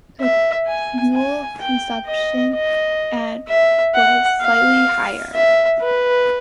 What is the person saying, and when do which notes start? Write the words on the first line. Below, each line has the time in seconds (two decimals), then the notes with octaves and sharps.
The fuel consumption at was slightly higher.
0.20 E5
0.67 G#5
1.14 G#5
1.61 G5
2.07 D#5
2.54 D#5
3.48 E5
3.95 F#5
4.41 F5
5.34 E5
5.82 B4